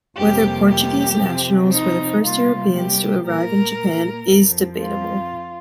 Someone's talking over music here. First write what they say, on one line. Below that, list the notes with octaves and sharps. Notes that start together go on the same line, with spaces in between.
Whether Portuguese nationals were the first Europeans to arrive in Japan is debatable.
F2 C3 G3 A#3 G4
G4
C3 F3 C4
D#4
C3 G3 A#3 F4
G4
A#2 A#3 A#4
F2 F3 C4
F4